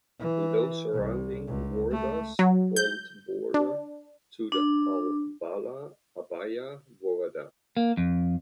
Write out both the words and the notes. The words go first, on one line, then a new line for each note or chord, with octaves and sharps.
And those surrounding woredas formed border to the Abala Abaya woreda.
E3
C2
C#2
A3
F#3
G6
D4
D4
A#3
F2